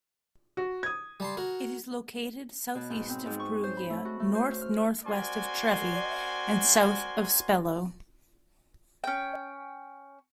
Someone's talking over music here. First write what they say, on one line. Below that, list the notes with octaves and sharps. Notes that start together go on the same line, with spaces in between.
It is located south-east of Perugia, north-north-west of Trevi and south of Spello.
F#4
D#6 G#6
G3 A5 C6
F#4 A#4
B2
G#2
C4
G#2
C#6
C5
B5
A3
F#4
A3
C5
F6
C4 F#4 A#4 D5 G#5 C6
C#4 G5